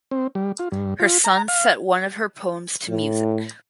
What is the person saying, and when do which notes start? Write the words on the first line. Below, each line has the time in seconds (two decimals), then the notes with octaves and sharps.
Her son set one of her poems to music.
0.11 C4
0.35 G3
0.59 F4
0.72 G2
1.00 F4
1.24 A#5
1.48 F5
2.89 A2